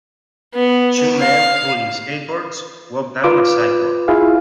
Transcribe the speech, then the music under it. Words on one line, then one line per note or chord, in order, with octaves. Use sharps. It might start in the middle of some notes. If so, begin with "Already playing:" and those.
Two men holding skateboards walk down a sidewalk.
B3
F5
F4 B4 D6
E4 F4 G#4 F5